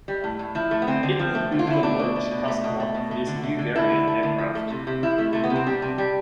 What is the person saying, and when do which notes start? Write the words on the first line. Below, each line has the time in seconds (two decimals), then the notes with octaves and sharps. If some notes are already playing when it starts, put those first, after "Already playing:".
It will be the launch customer for this new variant aircraft.
0.08 G3
0.24 A2
0.39 A2
0.55 F3 E4
0.71 A3
0.82 B3
0.87 D3 C4
1.03 D3
1.19 F3
1.35 A3
1.52 D3
1.59 F4
1.67 D3 E4
1.83 A3 D4
2.00 B2
2.16 A3
2.31 B2
2.48 A3
2.64 B2
2.80 A3
2.95 B2
3.11 A3
3.27 D3
3.43 A3
3.59 D3
3.76 A3 E4
3.91 D3
4.08 A3
4.23 D3
4.38 F3
4.55 A3
4.70 C3
4.87 C3
5.03 F3 E4
5.18 A3
5.33 C3 A3
5.44 B3
5.50 C3
5.56 C4
5.66 G3 D4
5.82 C3
5.98 G3